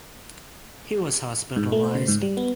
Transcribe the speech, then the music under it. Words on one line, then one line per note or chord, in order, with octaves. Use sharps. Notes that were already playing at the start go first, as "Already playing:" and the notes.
He was hospitalized.
G#2
A3
C5
C#3
G#2
G3
B3